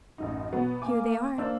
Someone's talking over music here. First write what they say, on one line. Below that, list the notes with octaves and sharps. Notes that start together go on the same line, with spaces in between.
"Here they are."
A1 F#2 D#4
B2 F#3 B3
A#3 G#5 D6
A#3 D4 C5 E6